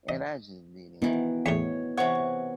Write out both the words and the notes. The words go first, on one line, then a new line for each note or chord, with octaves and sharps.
and I just didn't,
D#5
D#3 E3 B3 E4
E2 A2 C#5
C3 E3 C#5 F#5 C#6